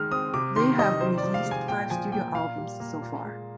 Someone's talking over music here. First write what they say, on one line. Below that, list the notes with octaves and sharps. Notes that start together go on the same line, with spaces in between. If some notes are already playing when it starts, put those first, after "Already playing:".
They have released five studio albums so far.
Already playing: D#3 G#3 F6
C4 D#6
C3 D6
D#3 C6
G3 D#5
C3 C5
D5
F3
F5
G#3
G#5
A#2 G5
F3 G#5
A#3 G5
A#2 F5
G3
A#3
A#2
G#3